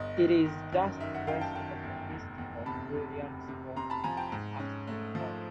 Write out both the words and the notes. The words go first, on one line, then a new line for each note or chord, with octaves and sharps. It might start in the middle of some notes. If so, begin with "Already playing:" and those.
It is just west of the East Fork Williams Fork in an aspen forest.
Already playing: G1 D#5
D#3
D#3
F#2
D#3 E5
E5 F#5
F#2 F5 G5
G5 A5
D#3 G5 A5
G1
F1
E2
C3 A5 B5
C3
C3
C3
C3 A#5 C6
A5 B5
F3 G#5 A#5
G5 A5
G#2
C#4
A3
F3